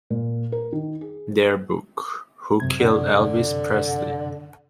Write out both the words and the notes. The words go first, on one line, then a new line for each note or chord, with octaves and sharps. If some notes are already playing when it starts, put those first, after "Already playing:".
Their book, Who Killed Elvis Presley?
A#2
A#4
D#3
G#4
F#2 C3 G#6
D3